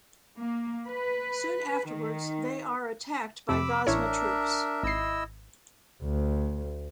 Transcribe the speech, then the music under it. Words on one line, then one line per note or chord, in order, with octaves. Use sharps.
Soon afterwards, they are attacked by Gozma troops.
A#3
B4
D#3
F2 C3 B5 D6 E6
A1 D4 E4 A#4 C#5 E5
G#1 E4 D#5 E6 C7
D2